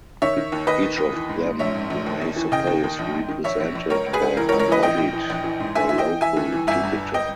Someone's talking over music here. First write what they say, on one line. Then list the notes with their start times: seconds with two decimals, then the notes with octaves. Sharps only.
Each of them, we may suppose, represented or embodied the local Jupiter.
0.22 D#3 C#5 E5
0.37 D#3
0.52 D#2
0.67 D#2 B4 D#5
0.82 D#2
0.98 D#2
1.13 E3
1.29 G#2
1.44 G#2
1.59 A#1 C#5 E5
1.75 G#2
1.90 A#1
2.06 D#2
2.21 D#2
2.36 E3
2.52 C#3 D#5 G5
2.67 D#2
2.84 D#2
2.99 A#1
3.14 G#2
3.29 D#3
3.44 A#1 C#5 E5
3.60 A#1
3.75 A#1
3.90 C#2 A#4 C#5
4.06 C#2
4.13 G#4 B4
4.22 C#2
4.37 E3 A#4
4.49 A#4 C#5
4.52 C#2
4.59 A#4 C#5
4.68 E3 B4 D#5
4.83 A#1 D#5 G5
4.98 A#1
5.13 E3
5.30 A#1
5.44 E3
5.60 G#2
5.75 D#2 E5 G#5
5.89 E3 E5
5.98 D#5 G5
6.06 E3
6.21 E3 E5 G#5
6.36 D#2
6.52 E3
6.67 G1 E5 G#5
6.83 G2
6.98 G1
7.14 D#5 G5